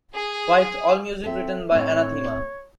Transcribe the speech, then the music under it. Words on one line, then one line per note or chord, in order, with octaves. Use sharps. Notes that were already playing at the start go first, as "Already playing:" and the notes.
White, all music written by Anathema.
G#4
C4 A4 E5
A2 C4 C#5